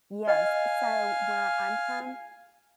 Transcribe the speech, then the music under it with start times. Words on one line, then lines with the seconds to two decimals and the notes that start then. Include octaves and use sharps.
Yes, so, where I'm from
0.28 D#5 F5 G#5 F6